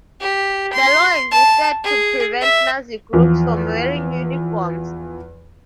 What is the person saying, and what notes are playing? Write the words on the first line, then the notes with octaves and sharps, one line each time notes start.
The law existed to prevent Nazi groups from wearing uniforms.
G4
C6
A5
G#4
E5
E2 F3